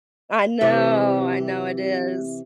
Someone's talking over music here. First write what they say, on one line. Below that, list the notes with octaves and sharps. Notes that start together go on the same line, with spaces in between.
I know, I know it is.
C3 E3